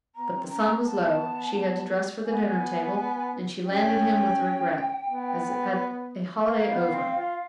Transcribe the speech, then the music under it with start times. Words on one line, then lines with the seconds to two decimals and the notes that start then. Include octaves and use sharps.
But the sun was low, she had to dress for the dinner-table, and she landed him with regret, as at a holiday over.
0.16 B3 A#5
0.33 C4
0.50 C#4 A#5
0.69 C4
0.85 B3 A5
2.26 B3 G#5
3.66 C#4 G5
5.07 B3
6.47 A#3 F5
6.70 B3
6.94 C4
7.17 F4